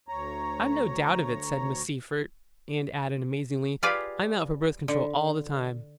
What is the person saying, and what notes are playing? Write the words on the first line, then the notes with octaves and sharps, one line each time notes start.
"I've no doubt of it," said Miss Seyffert, and added amazingly: "I'm out for Birth Control all the time."
D2 C#5 A#5
F4 G4 G#4 B4 D5 F5
D3